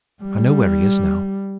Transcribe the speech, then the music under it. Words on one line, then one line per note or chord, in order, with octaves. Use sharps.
I know where he is now.
G3